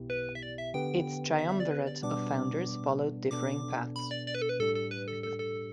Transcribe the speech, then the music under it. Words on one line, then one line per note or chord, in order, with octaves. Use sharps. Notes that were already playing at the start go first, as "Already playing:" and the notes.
Its triumvirate of founders followed differing paths.
Already playing: B1 B2 B3 E4 G4
B4
E5
D5
E5
D3 B3 G4 B4 G5
E5
E5
D5
B4
D5
B2 G3 B3 D4 D6
B2 B3 D4 A4 D6
B5
D5
D5
B4
A4
B4
A2 G3 D4 G4 A4
A4
B4
A4
A4
A4